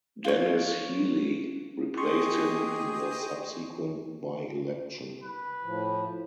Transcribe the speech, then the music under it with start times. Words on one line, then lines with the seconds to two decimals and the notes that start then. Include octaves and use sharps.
Denis Healey replaced him in the subsequent by-election.
0.24 F4 C#5
1.97 G4 G#4 D#5 C6 C#6
5.23 B4
5.63 A2 F3